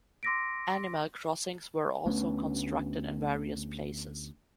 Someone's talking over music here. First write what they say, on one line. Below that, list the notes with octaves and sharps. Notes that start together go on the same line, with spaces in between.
Animal crossings were also constructed in various places.
C6 D6 E6 A#6 B6 D7
D2 A3 B3 C#4